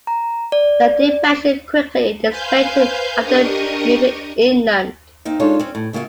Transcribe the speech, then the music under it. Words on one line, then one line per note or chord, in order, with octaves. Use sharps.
The depression quickly dissipated after moving inland.
A#5
D5
B4 C5 F5 G#5 G6
D4 G4 A#4 D#5 C#6 D#6
A#3 C4 D#4
G#3 D4 D#4 F4 A4 C#5
C4 C#4
A2
C#3 A#3 F4 F#4 E5